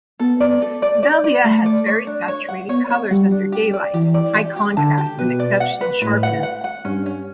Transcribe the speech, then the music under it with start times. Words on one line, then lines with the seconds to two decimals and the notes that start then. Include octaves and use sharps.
Velvia has very saturated colors under daylight, high contrast, and exceptional sharpness.
0.19 B3 A4
0.40 D5
0.62 A4
0.82 D5
1.03 D5
1.24 D5
1.44 A3 A4
1.66 D5
1.86 C#5
2.07 D4
2.28 C#5
2.49 F#5
2.69 B3 C#5
2.90 C#5
3.11 G3 F#5
3.31 D4
3.52 G4
3.73 D5
3.94 E3 G4
4.14 D5
4.35 G4
4.56 G4
4.77 D3 A5
4.98 G4
5.19 B2 B4
5.40 D5
5.60 F#5
5.81 B4
6.02 A2 B4
6.23 F#5
6.43 F#5
6.64 F#5
6.85 G2 C#4
7.06 C#4